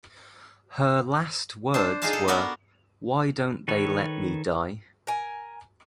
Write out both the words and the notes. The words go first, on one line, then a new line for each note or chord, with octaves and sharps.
Her last words were, Why don't they let me die?
D4 C5 A5
D#4 F4 G#4 D#5 F5 A5
A4
B3 F#4 A#4 D5 B5
D#3 A4 B4 C#5
A#4 G#5